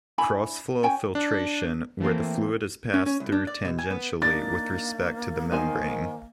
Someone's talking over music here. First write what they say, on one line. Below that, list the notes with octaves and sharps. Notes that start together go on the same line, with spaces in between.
Cross-flow filtration: where the fluid is passed through tangentially with respect to the membrane.
D4 E4 G#5 B5
C#4 G5 G#5
D4
E3 A3 A#3 C4
C#4
C#4
C2
D4
D5
B2
G#5
B3
A#3 D4 D#4 A6
D#3 D#4 C5 G#5